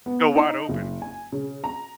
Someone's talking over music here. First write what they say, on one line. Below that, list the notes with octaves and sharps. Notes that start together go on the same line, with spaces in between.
go wide open.
B3
D#4
F#1
G#5
C#3
A#5